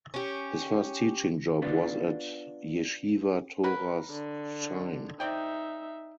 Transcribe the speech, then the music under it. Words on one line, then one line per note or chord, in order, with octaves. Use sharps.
His first teaching job was at Yeshiva Toras Chaim.
C#4 G4
B3 D4 F4
F#3 A#4 B4
D3
C4 D#4 D5 E5 G5